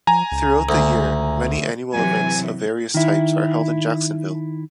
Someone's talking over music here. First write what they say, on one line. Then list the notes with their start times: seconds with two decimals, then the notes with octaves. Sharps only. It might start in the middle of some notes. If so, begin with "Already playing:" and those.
Throughout the year, many annual events of various types are held in Jacksonville.
0.07 F3 G#5 A#5
0.32 C#2
0.69 D2
1.93 C3 E3 F#3 G#5
2.94 D#3 E4